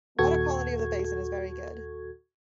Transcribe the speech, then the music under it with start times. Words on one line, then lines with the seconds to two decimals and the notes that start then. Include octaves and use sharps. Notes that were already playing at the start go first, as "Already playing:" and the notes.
Water quality of the basin is very good.
0.19 D#2 A#2 F#4 A4 C#6 G#6